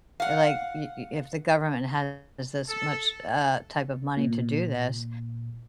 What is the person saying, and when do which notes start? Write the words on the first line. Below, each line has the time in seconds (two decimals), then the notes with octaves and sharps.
like y y if the government has this much, uh, type of money to do this,
0.20 F5 F#5
2.69 A4
4.17 A#2